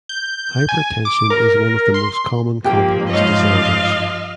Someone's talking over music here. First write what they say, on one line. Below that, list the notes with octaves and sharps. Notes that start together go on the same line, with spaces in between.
Hypertension is one of the most common complex disorders.
G6
G#5
D6
A#4
C6
G2 F3 A#3 G4 G5
G#2 C#5 D#5 F5